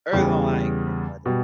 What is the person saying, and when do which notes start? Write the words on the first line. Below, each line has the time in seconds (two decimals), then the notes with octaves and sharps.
early on, I ain't care about it.
0.12 E2 C#3 G3
1.26 B2 G3